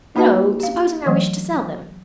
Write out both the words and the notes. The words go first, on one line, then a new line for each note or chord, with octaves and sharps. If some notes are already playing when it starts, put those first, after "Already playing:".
"No; supposing I wished to sell them."
A#3 D#4 F#4 B4 D#5 A5
G4 F5
E3 F#3 A3